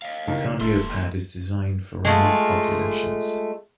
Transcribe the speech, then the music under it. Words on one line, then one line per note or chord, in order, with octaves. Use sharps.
The CardioPad is designed for remote populations.
D#5 F5
D#2 C#3
D#1 D#2 A3 C6
G#3 A3 F4